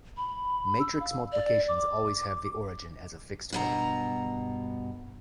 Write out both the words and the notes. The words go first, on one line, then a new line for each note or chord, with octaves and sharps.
Matrix multiplications "always" have the origin as a fixed point.
B5
E6
F5
D5
D6
G2 B2 A#5